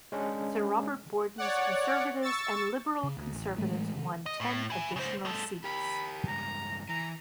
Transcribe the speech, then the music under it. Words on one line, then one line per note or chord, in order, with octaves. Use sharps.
Sir Robert Borden's Conservatives and Liberal-Conservatives won ten additional seats.
G#3 C#4 D4
C#5 D5 F#5
C#6 E6 A6
C#3
D2
A1
A2 E3 G#3 A3
C3 D#3
D#5
A2
E4 G#5
C#3 C5
G#3 A4
G4 A#4 B5
C#2 G2 A#5
E3 A#5